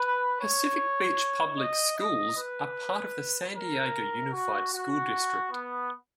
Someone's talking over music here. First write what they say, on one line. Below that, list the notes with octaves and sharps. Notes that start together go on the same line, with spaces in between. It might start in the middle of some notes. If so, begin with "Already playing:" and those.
Pacific Beach public schools are part of the San Diego Unified School District.
Already playing: B4
C#5
D#5
D#5
B4
A#4
F#4
F#4
B3